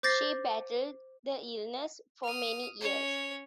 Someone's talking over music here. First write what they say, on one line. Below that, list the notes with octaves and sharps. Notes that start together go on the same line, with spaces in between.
She battled the illness for many years.
C5 D6 G6 A6 A#6 C7
D#6 F6
C#4 C#5